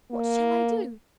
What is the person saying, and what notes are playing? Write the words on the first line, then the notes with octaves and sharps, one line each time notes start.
What shall I do?
A#3